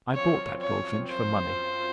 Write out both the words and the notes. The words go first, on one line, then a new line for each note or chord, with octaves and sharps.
I bought that goldfinch for money.
F#2 F3 C4 F4 C#5
C#5
C5